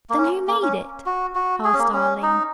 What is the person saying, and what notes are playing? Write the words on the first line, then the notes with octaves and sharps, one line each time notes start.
"Then, who made it?" asked Arline.
A#3
C#4
A#3
C#4
F#4
F#4
G#4
C#4
A#3
C#4
D#4